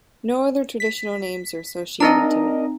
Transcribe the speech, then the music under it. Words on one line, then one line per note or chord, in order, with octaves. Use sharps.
No other traditional names are associated to it.
B6
C4 D4 D#4 A#4 D#5 A#5